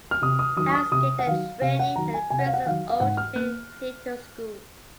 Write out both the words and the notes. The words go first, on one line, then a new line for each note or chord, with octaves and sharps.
Harris gained her training at the Bristol Old Vic Theatre School.
F6
C3 D#6
D#6
D#3 F#3 D#6
C#6
D#6
C3 D#6
F#5
D#3 F#3 F5
C3 F5
F#5
D#3 F#3 A#5
G#5
C3 G#5
F#5
F5
F#5
D#3 F#3 F5
F5
G#2 F#5
F6
A#3 F#6